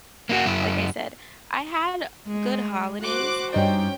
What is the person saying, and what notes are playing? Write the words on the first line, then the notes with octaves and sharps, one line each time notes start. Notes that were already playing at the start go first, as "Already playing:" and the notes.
Like I said, I had good holidays,
A#3 D#4 F#4
F#2 E4
G#3
F#4 C5 D6 F#6
G2 C#4 D#4 D5 G5